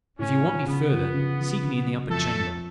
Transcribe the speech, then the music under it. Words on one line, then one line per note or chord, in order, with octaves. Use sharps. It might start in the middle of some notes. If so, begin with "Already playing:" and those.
"If you want me further, seek me in the upper chamber."
A2 C#4
F3
C#3 B3
F3
C#3
F3
C#3
F#3
F2 A3 A4
F3